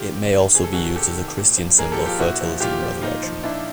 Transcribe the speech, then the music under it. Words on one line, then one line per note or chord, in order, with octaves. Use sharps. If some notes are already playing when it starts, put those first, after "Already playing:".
It may also be used as a Christian symbol of fertility and resurrection.
Already playing: C3 D#3 F4 G4
C3
D#3
C3 G#4
A4
D#3 F#4 G#4
C3 G4 A4
D#3
A#2
F3
A#2 G#4 A#4
G4 A4
F3
F4 G4
A#2 E4 F#4
F3
A#2 F4 G4
F3
A#2 D#4 F4
F3
A#2 D4 E4